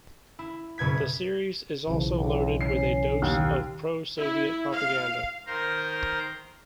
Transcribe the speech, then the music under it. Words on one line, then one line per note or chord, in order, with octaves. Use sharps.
The series is also loaded with a dose of pro-Soviet propaganda.
E4
F#1 B2 G#6 B6
B1 C#3 E3 F3
C#2
C#4 C7
D#2
E4
F5
D#3 A#4 C5 A#5 C6